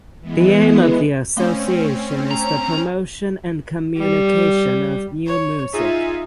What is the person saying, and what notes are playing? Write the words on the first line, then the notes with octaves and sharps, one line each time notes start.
The aim of the association is the promotion and communication of Neue Musik.
E3 G#3 B3
A3 C4 C#4 F5
A#5
G3
C#5
D#4 F4 G#4 E5